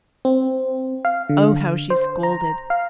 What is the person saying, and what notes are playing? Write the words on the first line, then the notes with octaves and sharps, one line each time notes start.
Oh, how she scolded.
C4
F5
D3
C5
A#5
F5